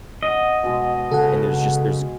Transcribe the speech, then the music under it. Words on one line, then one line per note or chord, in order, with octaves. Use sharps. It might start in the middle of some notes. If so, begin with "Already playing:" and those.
And there's just there's
C#4 D#5 F#5
B2 G#3
C#3 G#4 A4 F#5